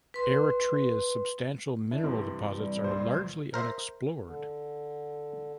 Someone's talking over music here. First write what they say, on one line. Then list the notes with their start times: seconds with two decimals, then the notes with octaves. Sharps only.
Eritrea's substantial mineral deposits are largely unexplored.
0.14 B4 C6
1.91 D4 E4
2.04 G2 C3 E3 C4
2.49 G3
2.84 C#2 A#2 C5
3.54 A#4 C5 E5
4.22 D3